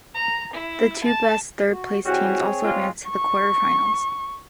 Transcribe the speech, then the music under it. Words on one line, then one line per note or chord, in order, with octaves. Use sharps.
The two best third place teams also advance to the quarter-finals.
A#5
E4
A5
F#4
E3 G3 C4 F#4 G#4 C#5
G#3 F4
C#6